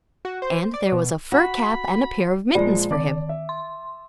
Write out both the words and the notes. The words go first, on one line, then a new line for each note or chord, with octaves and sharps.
And there was a fur cap and a pair of mittens for him!
F#4
C5
D5
B2
F#4 B5
A#2 F3 G#3 D5
D#3 D5 A5 D6
E5
C6